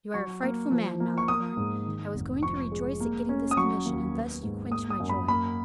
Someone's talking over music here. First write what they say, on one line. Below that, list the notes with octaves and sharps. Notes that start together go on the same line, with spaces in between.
"You are a frightful man, Malicorne; I was going to rejoice at getting this commission, and thus you quench my joy."
F#3 C#6
A#3
F3
A#3
C#6
A#3 D#6
G#2
D#3
F1
F3 C#6
G#3
A#3
C#4
D#6
F#3 C#6
D#2
B3
G#2
A#3 D#6
D#6
F#2
B5
A#3 B5